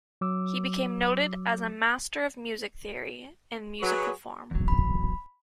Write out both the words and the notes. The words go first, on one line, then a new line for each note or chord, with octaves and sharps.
He became noted as a master of music theory and musical form.
F#3 D6 E6
F#3 G#4 B4 C#6
E2 F#3
B5